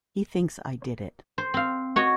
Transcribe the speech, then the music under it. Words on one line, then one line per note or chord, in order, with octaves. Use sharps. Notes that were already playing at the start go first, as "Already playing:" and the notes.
He thinks I did it.
C5
C4 F5
F#4 C#5 D#5